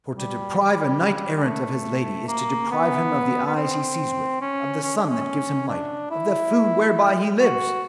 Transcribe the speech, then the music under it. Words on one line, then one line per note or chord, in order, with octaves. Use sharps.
For to deprive a knight-errant of his lady is to deprive him of the eyes he sees with, of the sun that gives him light, of the food whereby he lives.
G3
A3
A#3
B3
B3
C4
C#4
C#4
D4
C#4
D4
E4
F#4